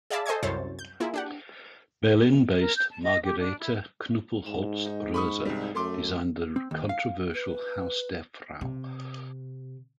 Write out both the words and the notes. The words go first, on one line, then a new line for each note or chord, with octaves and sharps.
Berlin based Margarete Knuppelholz-Roeser designed the controversial Haus Der Frau.
G#4 D5 E5 F5 A5 B5
A4 C5 D#5 G#5 C#6 G#6
C2 F#2 E4 C5 C#5 A6
G6
A#3 E4 F4 G#4
D4 G4 F#5
A#4
G6
A5
D#5
G4
D4
E4
G#2 E7
D#4
B5 C#6 D#6
C2 G3
F#2 A3 C6 D6
C4
D#2
F5
B4
C3